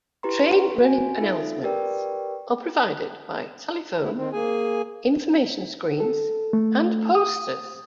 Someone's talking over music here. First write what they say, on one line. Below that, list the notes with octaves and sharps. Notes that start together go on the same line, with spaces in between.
Train running announcements are provided by telephone, information screens and posters.
E4 G4 B4 A#5 C6
F#4 G#5
D#4 F4 A4 E5
G4 A#4 B4 D5 G5
A3 E4
D#3 C4
A#3 G#4 G#5
A4
A3
D#6